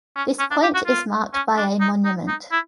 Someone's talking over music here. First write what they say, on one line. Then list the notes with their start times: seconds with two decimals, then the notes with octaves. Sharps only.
This point is marked by a monument.
0.16 C#4
0.39 C#4
0.51 D4
0.63 G4
0.74 F#4
0.86 F4
1.34 C#4
1.57 D4
1.81 D#4
2.05 D#4
2.28 D#4
2.52 E4